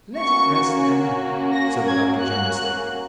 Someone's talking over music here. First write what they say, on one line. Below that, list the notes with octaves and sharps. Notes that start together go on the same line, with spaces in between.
"Let it rest then," said the doctor generously.
A#3 C#4 F#4 C#6
A#6
G#6
F#6